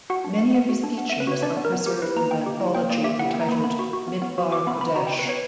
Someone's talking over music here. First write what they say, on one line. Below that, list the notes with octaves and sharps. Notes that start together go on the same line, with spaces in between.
Many of his teachings are preserved in an anthology entitled "Midbar Kodesh".
F#4 F#5
D4
B3
B3
F#4
D4
B3 F#5
B3 E5
B4
F#4 C#5
D4 D5
B3
A#4
B3
G4 A#4
E4 B4
A#3 A#5
A#3 G5
G4
E4
A#3 G5
A#3 D5
G4 E5
E4 F#5
A#3 G5
A#5
A#3 B5
B3 B5
F#4
F#4
B3
B3
F#4
F#4 D6
B3 B5
B3 B5
F#4 A#5
F#4 G5
B4
B3 C#5